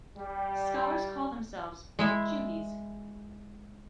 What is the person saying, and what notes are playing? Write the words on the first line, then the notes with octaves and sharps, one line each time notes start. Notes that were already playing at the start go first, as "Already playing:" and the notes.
Scholars call themselves "Jeugies".
G3
G#3 E4 E5